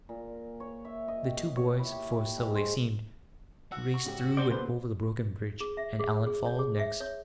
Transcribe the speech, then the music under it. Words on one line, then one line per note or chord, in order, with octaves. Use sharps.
The two boys--for so they seemed--raced through and over the broken bridge, and Allan followed next.
A#2
C#5
E5
D#5
G5
C#5
E4
G4
G4
G#2
C5
F#4 F#5 E6
C#6
G#2 C#3 G4
C4 C5 D5
A#2 D3 B3 G#4 B4 C5
G#4
E5
G#4
G#4
C#5
G#4
E5
C#5